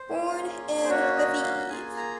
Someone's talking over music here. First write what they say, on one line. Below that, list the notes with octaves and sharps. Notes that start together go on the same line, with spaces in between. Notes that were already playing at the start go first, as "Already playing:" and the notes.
Born in Lviv.
Already playing: C5
A#3 C#4 G#4
C5
A#3 C#4 F#4 C#5
D#5
F5
A#3 F4 G#4 G#5
A#5